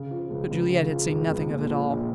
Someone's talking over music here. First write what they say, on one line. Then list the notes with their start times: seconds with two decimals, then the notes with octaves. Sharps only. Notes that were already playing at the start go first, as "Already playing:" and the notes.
But Juliette had seen nothing of it all.
Already playing: C#3
0.11 F3
0.30 C#2
0.51 C#2
0.70 C#3
0.90 F3
1.10 C#2
1.30 C#2
1.49 A#2
1.70 F3
1.89 A#1